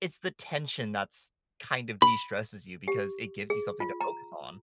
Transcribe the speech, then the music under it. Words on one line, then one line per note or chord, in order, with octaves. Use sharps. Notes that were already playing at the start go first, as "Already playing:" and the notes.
it's the tension that's kind of destresses you, because it gives you something to focus on.
B5
G4
G#4
F4
A#5